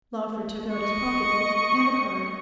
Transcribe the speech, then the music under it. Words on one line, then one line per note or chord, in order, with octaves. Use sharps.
Lawford took out his pocket-book and a card.
D#5 C#6